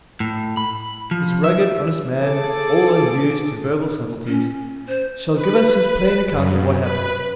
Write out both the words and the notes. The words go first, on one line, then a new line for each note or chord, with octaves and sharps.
'This rugged, honest man, all unused to verbal subtleties, shall give us his plain account of what happened.
A2
B5
F3
E5
G#4 A4 D6
C#4
C5
B4
F#2
B4